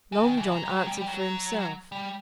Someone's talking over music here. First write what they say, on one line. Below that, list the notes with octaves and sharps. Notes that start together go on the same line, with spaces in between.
Long John answered for himself.
E3
D#3
E3
F#3
G3
F#3
G3
G3
F#3
G3